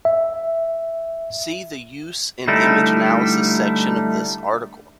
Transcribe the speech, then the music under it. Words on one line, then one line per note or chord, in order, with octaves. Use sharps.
See the Use in image analysis section of this article.
E5
D3 G3 A3 D#4 E4